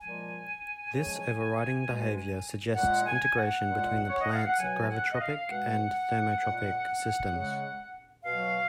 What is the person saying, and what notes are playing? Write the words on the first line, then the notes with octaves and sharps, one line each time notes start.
This overriding behavior suggests integration between the plants' gravitropic and thermotropic systems.
A#2 F3 G#3 G#5
C#3 F3 G#3
B2 G#3
A#2 G#3 F#5
G#5
F#5
A#2 G#3
C#5
D#5
F5
F#5
B2 F#3 G#5
F#5
D#5
F5
B2 G#3 F#5
A#2 G#3
C#3 G#3
B2 F#3 F5